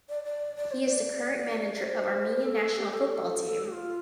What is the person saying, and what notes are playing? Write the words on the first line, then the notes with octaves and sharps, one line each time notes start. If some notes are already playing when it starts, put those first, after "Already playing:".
He is the current manager of Armenia national football team.
D5
D5
D5
C5
D5
D5
C5
A4
G4
A4
F4